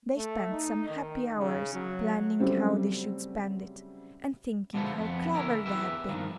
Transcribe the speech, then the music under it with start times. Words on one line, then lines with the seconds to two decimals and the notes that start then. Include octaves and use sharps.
They spent some happy hours planning how they should spend it, and thinking how clever they had been.
0.16 A3
0.50 D#4
0.89 D#3
1.37 C#3
1.74 F#3
2.39 C#3 F#3 G3 A3 C4 C#4
4.74 B2 D3 F3 G#3 A3 B3
4.97 F2 B3
5.34 D3 C#4 E4 A#4
5.66 E2 B2 G4 B4 E5
6.09 G2 D#3 F3